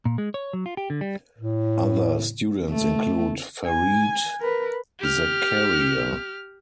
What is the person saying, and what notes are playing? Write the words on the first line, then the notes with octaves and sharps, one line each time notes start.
Other students include Fareed Zakaria.
A#2
G#3
C#5
F#3
F4
G4
D3
G3
A2
A3
G#5
A#4 B4
G4 F6